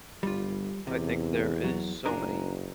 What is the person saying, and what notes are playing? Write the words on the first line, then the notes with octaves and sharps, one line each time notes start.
I think there is so many
G1 G3 F4
E2 C3
F#3
F#1 D4 G#4 A#4